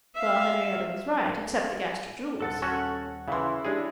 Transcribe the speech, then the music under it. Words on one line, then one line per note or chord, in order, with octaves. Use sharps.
Well, Henriette was right--except the Gaster jewels.
E5 F5
D#1 A4 F#5 A5 A6
C#4 F#4 A4 F#5 C#6
C#3 E3 E4 F5 C6
G#3 D4 G4 G#4 C#5